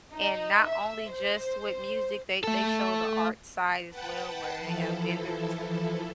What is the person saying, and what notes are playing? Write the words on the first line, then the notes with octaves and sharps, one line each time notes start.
and not only just with music, they they show the art side as well where they have vendors,
D#4
E5
C5
A3 A4
B4 F#5 G5 A5
E3 F3 E4 A4